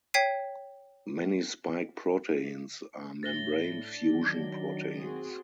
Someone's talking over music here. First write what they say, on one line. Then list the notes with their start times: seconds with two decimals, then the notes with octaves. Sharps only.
Many spike proteins are membrane fusion proteins.
0.14 C#5 G5 G#6 B6 C7 D#7
3.23 A2 A6 A#6 G7
3.70 D4
4.08 D#3 F#3
4.99 C4 F#4 G#4